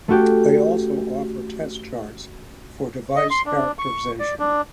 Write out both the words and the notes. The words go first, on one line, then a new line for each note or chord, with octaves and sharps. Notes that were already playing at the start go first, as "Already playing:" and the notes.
They also offer test charts for device characterization.
A3 C#4 F#4 G4
D#5
C6
D4
C#6
D5
D4